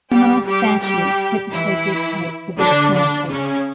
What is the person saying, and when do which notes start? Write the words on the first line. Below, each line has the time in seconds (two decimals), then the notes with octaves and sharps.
Criminal statutes typically dictate severe penalties.
0.11 G3 G4
0.47 G3 G4
0.83 G3 G4
1.53 E3 E4
2.60 D3 D4
2.95 D3 D4
3.30 C#3 C#4